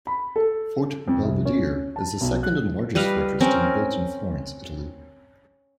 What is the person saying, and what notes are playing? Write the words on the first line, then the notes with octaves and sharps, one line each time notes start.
Forte Belvedere is the second and largest fortress to be built in Florence, Italy.
B5
A4
F2
C2
C#4
A5
B1
F#6
G3 B4 D#5 F5
C4 C#4 A#4